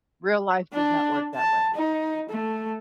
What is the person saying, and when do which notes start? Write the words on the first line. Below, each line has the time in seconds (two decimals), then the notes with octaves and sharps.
Real life does not work that way.
0.73 D4
1.35 A5
1.75 D#4
2.30 A3